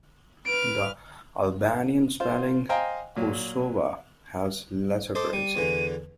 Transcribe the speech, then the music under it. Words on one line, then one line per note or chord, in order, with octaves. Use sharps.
The Albanian spelling "Kosova" has lesser currency.
B4 F6 D7
F4 C5
C5 D#5 F5 G5 G#5 A#5
A#2 F#3
A4 C5 D#5 D6
G3 D#7
E2 D3 E3